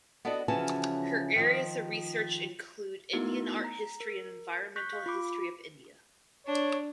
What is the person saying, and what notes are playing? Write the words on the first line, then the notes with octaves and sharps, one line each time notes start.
Her areas of research include Indian Art History and Environmental History of India.
B3 D4 F#4 A4 D#5 F#5
C#3 E3 F3 C#4 F#4 A5
D#3 F3 F4
A3 B3 D#4 E4 F#4 A#4
A#5
A#4
C#6 F#6 G6 B6
F5
F4 B5 D6
D4 C#5